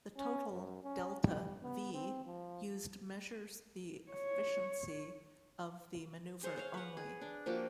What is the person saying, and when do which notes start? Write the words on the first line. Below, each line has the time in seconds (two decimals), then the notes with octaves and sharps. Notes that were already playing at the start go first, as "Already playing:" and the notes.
The total delta-"v" used measures the efficiency of the maneuver only.
0.17 C#4
0.51 F#2
0.84 C#4
1.22 G3
1.63 B3
1.94 C4
2.25 F3
4.12 C#5
6.43 G#4 C5 C#5 F#5
6.56 C5 C#5 F5
6.74 B4 F#5
6.97 G#4
7.21 D4
7.46 F3 A#3 F#4 G4